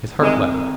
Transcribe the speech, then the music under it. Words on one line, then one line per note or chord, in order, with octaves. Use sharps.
His heart leapt.
C2 C3 D#3 G#3